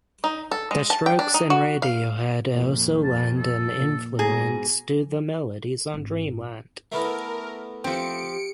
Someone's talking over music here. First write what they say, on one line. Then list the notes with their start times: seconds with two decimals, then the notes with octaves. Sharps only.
The Strokes and Radiohead also lend an influence to the melodies on "Dreamland".
0.24 D#4
0.51 A4
0.71 G#3
0.90 A5
1.06 G5
1.19 D4
1.34 D#4
1.50 F#4
1.82 F5
2.55 F2 A#2
3.04 A5
3.37 A4
3.80 A#2
4.19 G#2 B2 G#4 A#5
5.94 G#1
6.92 A3 B3 E4 A#4
7.84 F3 C4 G4 C#7 D7